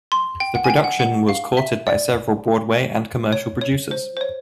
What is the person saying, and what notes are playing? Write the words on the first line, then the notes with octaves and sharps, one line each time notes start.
The production was courted by several Broadway and commercial producers.
C6
G5
F#5
G#5
G5
F#5
F#5
F5
E5
D5
C#5
C#5
C5
C5
C#5